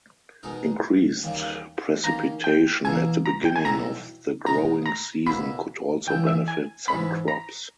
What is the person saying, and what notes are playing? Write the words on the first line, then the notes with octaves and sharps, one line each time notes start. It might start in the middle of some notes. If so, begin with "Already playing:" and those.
Increased precipitation at the beginning of the growing season could also benefit some crops.
B2 G#3 D#4 A#4
D#2 C#3 G3 A#3
D#3 A#3 C#4 A#5
G5
E2 B2 A#3 E4 A#4 G#5
A#5
G5
G#5
B1 B2 G3 B3 E4 A#5
B2 G#3 D#4 A#4 A#5
A#5
B1 B2 A#3 E4 B5
C#2 C#3 E3 G5
E5
G#5
G#2 E3 G#3 C#4 B5
A#5